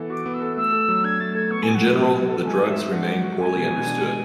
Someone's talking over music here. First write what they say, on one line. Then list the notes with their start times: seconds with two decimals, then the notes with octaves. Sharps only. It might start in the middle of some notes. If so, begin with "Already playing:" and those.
In general, the drugs remain poorly understood.
Already playing: E3 B3 A4
0.10 F#4 D6
0.26 B3
0.33 E6
0.42 A4
0.57 A3 E6
0.73 A4
0.89 F#3
1.04 D4 G#6
1.20 A3 A6
1.35 A4 G#6
1.50 B3 C#6
1.63 A4 G#5
1.74 F#5
1.83 F#3
1.98 F#4
2.14 B3
2.29 A4
2.45 G#3 G#5
2.60 F#4
2.69 E5
2.76 G#2
2.92 D4 F#5
3.07 G#3
3.23 F#4
3.39 G#3 G#5
3.55 B2
3.70 B2
3.86 D4
4.02 G#3